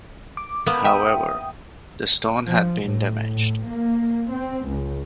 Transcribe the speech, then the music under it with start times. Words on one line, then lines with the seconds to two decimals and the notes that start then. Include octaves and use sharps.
However, the stone had been damaged.
0.37 D6
0.66 A#3 B3
0.85 E5 G5 D#6
2.44 F3
2.83 A2
3.31 A2
3.65 A#3
4.31 C4
4.67 C#2